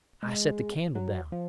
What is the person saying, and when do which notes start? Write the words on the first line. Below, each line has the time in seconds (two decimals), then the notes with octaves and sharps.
I set the candle down.
0.23 G#3
0.95 F#3
1.32 F3